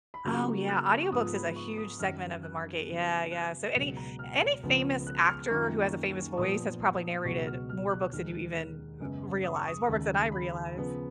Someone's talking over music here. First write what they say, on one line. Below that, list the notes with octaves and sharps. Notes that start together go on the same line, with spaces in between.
Oh, yeah, audiobooks is a huge segment of the market, yeah, yeah. So any any famous actor who has a famous voice has probably narrated more books than you even r realize, more books than I realize.
B5
C#3 F#3 A#3 F4 C#6
F#6
C#6
G#2 F3 B3 F4 D#6
B5
C#6
D#6
F#2 D#3 F#3 F6
F#6
C#3 F#3 B3
F#6
C#2 B2 F#3
A#5
F6
C#2 C#3 F3 B3
F#6
F6
F#2 D#3 A#3 F4 C#6
C#6
A#2 F3 B3 D#6
C#2 B2 F#3 C#6
F6
F6
F#6
D#2 D#3 G#3 F6
F#2 C#3 G#3 B3
D#6
C#6
D#6
D#2 C#3 G#3
B5
C#3 F3 B3